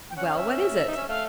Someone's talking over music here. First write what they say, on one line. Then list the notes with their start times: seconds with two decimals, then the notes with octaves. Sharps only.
"Well, what is it?"
0.10 G5
0.16 C#4 F#5
0.26 F5
0.36 E5
0.88 D#4
0.97 C#4
1.08 A3 F5